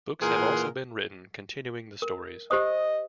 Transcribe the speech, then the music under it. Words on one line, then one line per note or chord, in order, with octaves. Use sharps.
Books have also been written continuing the stories.
A#2 E3 G#4 A#4 F#5 C6
A#4
G4 C5 D#5 D#6